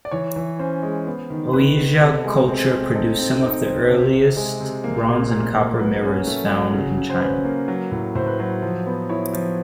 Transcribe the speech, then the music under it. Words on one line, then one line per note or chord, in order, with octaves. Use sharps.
Qijia culture produced some of the earliest bronze and copper mirrors found in China.
D5
E3 C#5
E3
C#4 C5
G#3
B3
D#3
D#3 B4
B3
C3 A4
G#3
C4
C4
D#4 A4
C4
D#4
C4
C3
C3
G#3
C3
A#3
A#2
A#2
A#3
F#3 B4
C#4
A3
F#3
C#3
C#3
C5
C#4 B4
A#3
F#3
A2
A2 C5
B4
F#3 C5
F3
B3
E4 C#5
F3